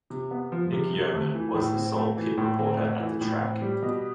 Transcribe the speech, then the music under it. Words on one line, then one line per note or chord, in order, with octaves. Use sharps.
Nick Yeoman was the sole pit reporter at the track.
C3
B3
F3
C3
C3
A3
E3
A2
C4
A3
E3
A2
C4
A3
E3
A2
C4
G3
B2